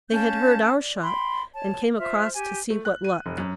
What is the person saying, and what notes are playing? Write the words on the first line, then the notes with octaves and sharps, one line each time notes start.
They had heard our shot, and came across to see what luck.
C#4 F5 A5 G6
D5
G5 B5 C6
C#5 A5
F4 C5 E5 F6
G4 G#5
A3
F#6
D#7
F1
F#2